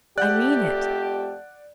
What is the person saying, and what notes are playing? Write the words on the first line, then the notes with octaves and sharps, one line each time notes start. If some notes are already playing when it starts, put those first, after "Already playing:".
I mean it.'
F2 A3 G4 D5 F#5 F#6 G6